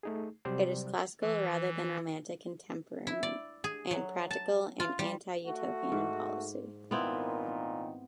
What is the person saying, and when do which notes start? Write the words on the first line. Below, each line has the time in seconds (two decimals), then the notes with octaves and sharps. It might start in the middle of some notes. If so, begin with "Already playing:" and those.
It is classical rather than romantic in temperament, and practical and anti-Utopian in policy.
0.03 A3 D#4 G#4
0.45 C3 F#3 G3 G4 C5 D5
1.22 E3
3.07 E4
3.23 D5
3.64 G#4
3.91 F#3
4.31 A5
4.80 F4
4.99 G3
5.47 A3 F#4
5.92 G#2
6.91 A#2 D#3 B3 C4 E4